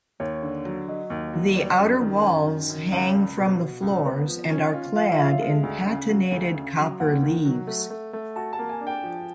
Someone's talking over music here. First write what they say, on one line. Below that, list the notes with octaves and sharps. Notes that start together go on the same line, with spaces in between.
The outer walls hang from the floors and are clad in patinated copper leaves.
D#2 C#5
D3
F#3
F#3 D#5
D#2
F#3
G3
F#2
D#3
F#2
D#3
F#2
C#2 F5
C#2
B2
B2
C#2
B3
F3
C#4
F4
F3 F5
E5
F4 F5
G#3
D2
C#3
F#3
D2
C#3
F#3
D#2 F#5
D#3
F#3
A3
A3
A3
F#4 A5
A5
A#3
G#5
D4
G5
F3